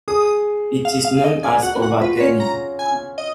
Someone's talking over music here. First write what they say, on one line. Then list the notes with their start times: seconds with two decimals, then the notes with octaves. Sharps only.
It is known as overturning.
0.08 G#4 D#6
0.85 F5
1.05 F5
1.17 F5
1.24 D#5
1.43 G#5
1.62 F#4 F#5
1.82 F#4 F#5
2.01 F4 B4
2.17 B4
2.20 C#4 C#5
2.40 A#5
2.79 G#5
3.18 D#5